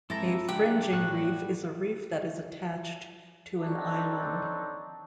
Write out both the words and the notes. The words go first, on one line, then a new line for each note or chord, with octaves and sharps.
A fringing reef is a reef that is attached to an island.
E3 G#3 C4 E4 A4 E5 A#5
D3 G#3 D4 G4 F#5
A2 G3 F#4 F#6
C4 D4 D#4 A4 C#5